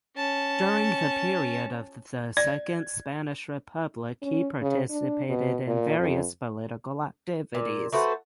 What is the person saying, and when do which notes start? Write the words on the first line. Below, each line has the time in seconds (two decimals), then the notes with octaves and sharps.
During the period of the Second Spanish Republic he participated in various political activities.
0.16 C#4 A5
2.37 D5 G#6
4.22 C#4
4.62 C#3
4.90 D4
5.29 B2
5.67 A#2
5.99 F2
7.55 A#2
7.93 A3 F#4 B4 C5